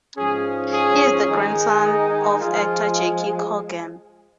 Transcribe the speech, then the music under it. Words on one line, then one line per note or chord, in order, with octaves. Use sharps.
He is the grandson of actor Jackie Coogan.
G#2 F3 C#4 G#4
G#4
D#3 G#3 D#4
F3 G#3 F4